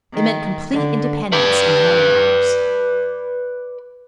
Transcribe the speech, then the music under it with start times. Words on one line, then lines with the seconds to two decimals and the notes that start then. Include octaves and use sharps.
It meant complete independence in money matters.
0.13 D#3
0.71 D3
1.33 B4 D5